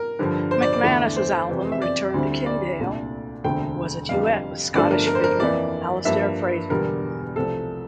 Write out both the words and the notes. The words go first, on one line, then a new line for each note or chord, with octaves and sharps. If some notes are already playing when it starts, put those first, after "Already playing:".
McManus's album "Return to Kintail" was a duet with Scottish fiddler Alasdair Fraser.
Already playing: A#4
G2 D3 F3
C5
D5
D5
E2 D3 A3 E4
C5
F2 C3 E3
E5
D5
D2 D3 G3 C4 E4
D5
C2 A#2 A3 D4
E1 D2 D3 A3 C4 G5
F1 F2 D3 G3 F5
G1 G2 F3 A3 D4 D5
A#4
A#4
C5
A#4
F2 E3 A#3 E4 D5
G2 F3 A#3 E5
E1 E2 D3 G3 A#4
C2 C3 F3 A3 C4 A4